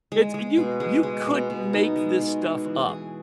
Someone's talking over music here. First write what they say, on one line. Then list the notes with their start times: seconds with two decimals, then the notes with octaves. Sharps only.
it's you you couldn't make this stuff up.
0.12 G#3
0.34 G#3
0.57 B2
0.80 G#3
1.03 G#3
1.27 B2
1.50 B2
1.73 D#4
1.96 G#3
2.19 B2
2.42 G#3
2.65 E3
2.89 G#4